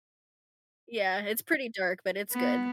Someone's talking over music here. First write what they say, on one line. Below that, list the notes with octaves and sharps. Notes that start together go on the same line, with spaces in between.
Yeah, it's pretty dark, but it's good.
B3